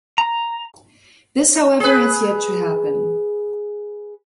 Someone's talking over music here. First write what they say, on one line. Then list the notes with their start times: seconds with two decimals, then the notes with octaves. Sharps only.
This however has yet to happen.
0.18 A#5
1.80 G#4 B4